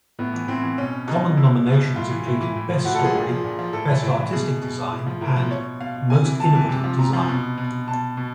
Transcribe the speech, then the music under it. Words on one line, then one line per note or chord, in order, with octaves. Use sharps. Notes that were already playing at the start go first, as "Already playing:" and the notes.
Common nominations included "Best Story", "Best Artistic Design", and "Most Innovative Design".
A2 B3
E3
A2 C4
E3
B2 C#4
B2 D#4
B2 E4
B2
A2 F4
E3
A2
E3
A2
F3
A2 F#4
A4
F3
G#4
A#2
F3
A#2
F3
A2 A4
E3
A2
E3
B2 G#4
B2
A2
F3
A2 A#4
F3
B2 C#5
B2 F5
C3 G#5
E3
C3 A5
E3
C3
F3
C3 A#5
F3
B2
B2
B2 A5
B2